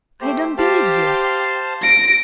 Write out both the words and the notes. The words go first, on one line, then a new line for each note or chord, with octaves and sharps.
I don't believe you!
A3 G4 C5
G4 C5 F5 A5
A#6 D7